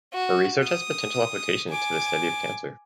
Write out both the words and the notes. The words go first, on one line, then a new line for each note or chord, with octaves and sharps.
Her research has potential applications to the study of cancer.
F#4
D#6
G#5 D6